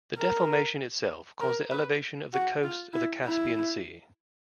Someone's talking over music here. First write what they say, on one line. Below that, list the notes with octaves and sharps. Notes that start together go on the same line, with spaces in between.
The deformation itself caused the elevation of the coasts of the Caspian Sea.
A#4
A#4
B4
F#4
F4
E4
E4